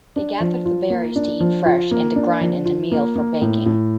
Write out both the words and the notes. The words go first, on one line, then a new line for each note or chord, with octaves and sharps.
They gathered the berries to eat fresh and to grind into meal for baking.
D4
F3
F4
A#3
D4
F3
F4
A#3
D4
F3
F4
A#3
A#3
A2
A2